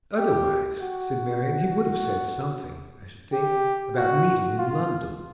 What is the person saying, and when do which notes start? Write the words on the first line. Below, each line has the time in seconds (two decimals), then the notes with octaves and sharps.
'Otherwise,' said Marian, 'he would have said something, I should think, about meeting in London.'
0.18 G4
0.81 F#4
3.33 G4
3.96 F#4
4.58 F4